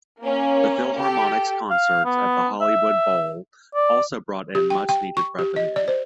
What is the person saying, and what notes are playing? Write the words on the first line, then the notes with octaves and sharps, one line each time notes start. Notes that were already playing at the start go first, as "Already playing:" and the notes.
The Philharmonic's concerts at the Hollywood Bowl also brought in much needed revenue.
A#3 C#4
G4 A4
F5
B3
E5
D5
G4
G5
G5
C#6
G4
D#5
D5
C5